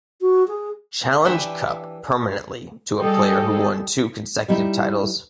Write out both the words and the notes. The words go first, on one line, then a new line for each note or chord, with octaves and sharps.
Challenge Cup permanently to a player who won two consecutive titles.
F#4
G#4
E3 D4 G4 B4 E5
G3 G#4 A4 D#5 G5
G3 D#4 E4